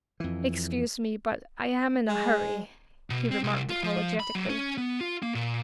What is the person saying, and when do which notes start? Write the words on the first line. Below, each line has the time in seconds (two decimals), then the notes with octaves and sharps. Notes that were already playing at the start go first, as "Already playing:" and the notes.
"Excuse me, but I am in a hurry," he remarked apologetically.
0.20 F2 E3
2.09 G#3
3.10 B2
3.31 C4
3.44 C2
3.70 F4
3.83 F3
4.20 B5
4.35 F#3
4.50 C#4
4.78 B3
5.01 F4
5.23 A#3
5.35 A#2